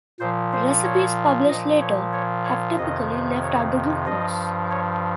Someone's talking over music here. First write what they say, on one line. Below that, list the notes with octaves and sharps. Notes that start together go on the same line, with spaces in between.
Recipes published later have typically left out the glucose.
A#2 F3 C5
C5
C#5
A#2 F3 D#5
C#5
C#5
C#5
F2 C3 D#3 D#5
C#5
G2 F3 D#5
C#5